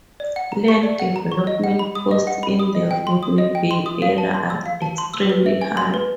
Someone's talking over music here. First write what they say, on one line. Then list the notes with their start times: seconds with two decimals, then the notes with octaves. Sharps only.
Land development costs in the Rodney Bay area are extremely high.
0.20 D5
0.36 F#5
0.52 A#5
0.68 C#6
0.83 D5
1.00 F#5
1.16 A#5
1.32 C#6
1.47 D#5
1.64 F#5
1.79 B5
1.95 D#6
2.11 D#5
2.27 F#5
2.43 B5
2.59 D#6
2.75 D#5
2.91 G5
3.07 C6
3.23 D#6
3.38 D#5
3.55 G5
3.71 C6
3.86 D#6
4.02 F5
4.18 A5
4.34 C6
4.50 E6
4.66 F5
4.82 A5
4.98 C6
5.14 E6
5.29 B4
5.46 E5
5.61 G#5
5.77 C6
5.94 B4